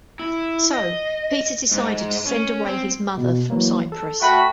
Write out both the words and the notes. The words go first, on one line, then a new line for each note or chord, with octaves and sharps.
So, Peter decided to send away his mother from Cyprus.
E4
D#5
G#2
C#4
C4
B2
E3 F#3 A#3
A4
A3 F#4 G5 B5